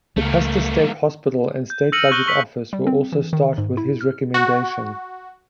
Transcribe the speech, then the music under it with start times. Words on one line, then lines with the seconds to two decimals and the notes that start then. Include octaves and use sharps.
The Custer State Hospital and state budget office were also started with his recommendation.
0.17 C#2 A3 A#3
1.70 G6
1.92 E6 F6 A#6 C#7 D#7 F#7
2.12 C#6 F#6 G6 A#6 G7
2.27 C#6 E6 B6 F#7
2.73 G3
2.87 C4
3.12 E3
3.33 D#3
3.58 G#2
3.77 E4
4.01 F6
4.34 F#4